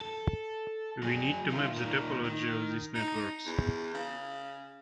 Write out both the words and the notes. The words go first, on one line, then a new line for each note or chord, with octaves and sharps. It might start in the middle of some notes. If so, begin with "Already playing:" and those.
We need to map the topology of these networks.
A4
F#3 G#4
D#3 F4
A#2 D#3
D#3
D#4
E2
C#3